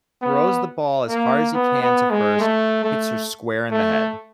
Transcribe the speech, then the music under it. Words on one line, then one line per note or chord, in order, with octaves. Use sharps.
throws the ball as hard as he can to first, hits her square in the head.
B3
A#3
B3
B3
G#3
A3
A3
A3